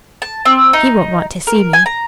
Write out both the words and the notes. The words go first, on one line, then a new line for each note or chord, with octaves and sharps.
He won't want to see me.
A5
C4
D#4
A#4
G#5
A#5